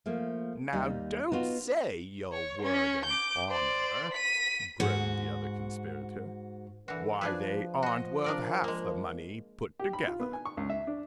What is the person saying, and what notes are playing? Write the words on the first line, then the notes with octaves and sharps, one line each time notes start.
"Now don't say your Word and Honour!" groaned the other Conspirator. "Why, they aren't worth half the money, put together!"
F3 A3 A#3
D#2 G3 D#4
B3 D#4 F4 F#4
C#5
C#4
D6 G6
C5 D5
B6 D#7
G#2 F#4
D3 E3 F#4 B4
F3 D4 G#4 B4
F#4 D#5
D4 A#4 D5
G#3 A#3
G4
B5
F4
B3
G#5
C#6
C#2
E5
D4